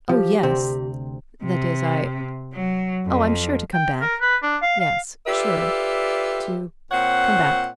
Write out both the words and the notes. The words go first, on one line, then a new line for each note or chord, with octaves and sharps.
"Oh yes--that is, I----Oh, I'm sure to come back--yes--sure--to--come--back."
F3 G4
D2 C3 C4
C3
F#3
F2
G5
A#4
B4
D4
F5
F5
F4 G4 A4 B4 D5 E5
A#2 C4 C#5 F#5